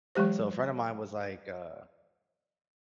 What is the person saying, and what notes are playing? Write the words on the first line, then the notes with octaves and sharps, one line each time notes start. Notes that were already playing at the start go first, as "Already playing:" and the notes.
so, a friend of mine was, like, uh
E3 F#3 G#3 G4 C5